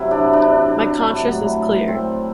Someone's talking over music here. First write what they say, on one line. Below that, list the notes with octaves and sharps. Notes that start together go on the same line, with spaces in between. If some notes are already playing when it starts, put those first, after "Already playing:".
My conscious is clear.
Already playing: C3 F#3 E4
D4
D4
A2 F#3
C4